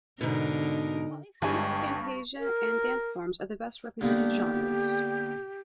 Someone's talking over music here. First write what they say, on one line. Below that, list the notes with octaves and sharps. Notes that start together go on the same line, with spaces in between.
The polyphonic fantasia and dance forms are the best represented genres.
G#2 B2 D3 D#4 A#4
G1 G2 G3 G#3 G#5 C#6
A#4
D3 A#3 B3 G4